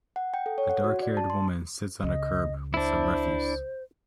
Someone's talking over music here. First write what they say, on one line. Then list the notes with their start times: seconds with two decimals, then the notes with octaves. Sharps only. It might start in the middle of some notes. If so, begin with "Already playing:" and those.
A darkhaired woman sits on a curb with some refuse.
0.16 F#5
0.34 G5
0.46 A4
0.58 C#5
0.70 F#5
0.84 F#4
1.02 D5
1.17 A5
1.30 C6
2.02 C#2 D#5
2.74 D4 E4 C5